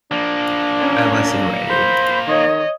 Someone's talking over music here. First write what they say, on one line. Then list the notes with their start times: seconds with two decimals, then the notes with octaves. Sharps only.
I wasn't ready.
0.12 F3 A#3 D4
0.79 C#4 A#4
1.65 C5 B5
2.27 D#3 C#5 D#5